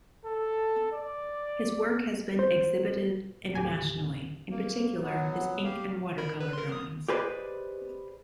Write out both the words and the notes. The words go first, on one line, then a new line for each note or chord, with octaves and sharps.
His work has been exhibited internationally, in particular his ink and watercolor drawings.
A4
D5
C5
D#2 A2 D3 G4 G#5
A#3
F#3 B3
G4 F5
A#4 B5
B4
A#4 C6
D#6
G4 G#4 B4 C5 D5 D#5